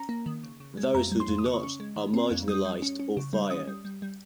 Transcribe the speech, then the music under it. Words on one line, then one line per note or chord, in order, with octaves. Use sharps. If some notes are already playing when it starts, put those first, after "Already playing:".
Those who do not are marginalized or fired.
Already playing: C#4 A#5
A#3
D#3
C#3
C#3
G#3
F2 A#5
G3
C6
F2
D#6
C#3 C#6
C#4
G#3
D#3
C4
F2
G3 D#6
G3
C#4
C#4
C#3
G3
C#4 D#6
G3
G3
G3